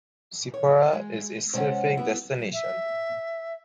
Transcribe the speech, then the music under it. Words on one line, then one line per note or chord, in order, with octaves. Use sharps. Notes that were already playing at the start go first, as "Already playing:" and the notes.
Sipora is a surfing destination.
C#5
G#3
C3 G#3 A#3 C#4 F#5
B3 E4
E5